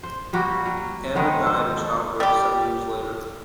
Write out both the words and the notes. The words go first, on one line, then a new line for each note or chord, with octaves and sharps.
Anna died in childbirth seven years later.
C5
G3 A#3 F#4 G4
F#3
D#3 G#3 B3
C5
A4
G3 G4